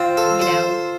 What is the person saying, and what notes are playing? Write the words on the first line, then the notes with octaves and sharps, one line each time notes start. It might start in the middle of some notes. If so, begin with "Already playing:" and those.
You know.
Already playing: C4 F4
A4
C5